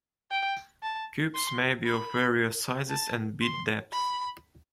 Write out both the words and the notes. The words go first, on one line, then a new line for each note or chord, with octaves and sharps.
Cubes may be of various sizes and bit depths.
G5
A5
C6
B5
A5
C6
B5